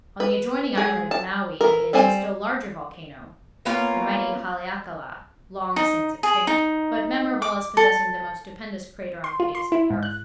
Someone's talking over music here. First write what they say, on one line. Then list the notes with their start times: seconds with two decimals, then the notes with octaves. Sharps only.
On the adjoining island of Maui is a still larger volcano, the mighty Haleakala, long since extinct, but memorable as possessing the most stupendous crater on the face of the earth.
0.20 B4
0.75 G#3 G#4
1.11 A5
1.61 E3 A#4
1.93 G3 C4 C5 G#5
3.65 A#3 B3 C#4 F4
5.76 D#4
6.23 G#4
6.47 D#4
7.42 D6
7.77 A4
9.24 C6
9.40 F4
9.55 C6
9.72 E4
9.90 G#2
10.03 F#6